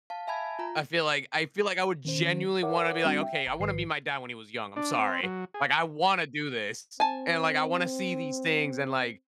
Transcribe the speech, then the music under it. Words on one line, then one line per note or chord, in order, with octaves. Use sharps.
I feel like I feel like I would genuinely wanna be like, "Okay, I wanna meet my dad when he was young, I'm sorry." like, "I wanna do this," and, like, "I wanna see these things," and, like,
F5 A5
E5 G#5 A5 B5 G#6
F4 A#5
D#3 C#4 C5
A#4 C#5 E5 F#5 D6
G3 C4 D4 F#4
E5 G5
G1 A#5
A#1 G#2 D#3 B4 C7
D4
C4
F#3
G#4
C4 G#5 A5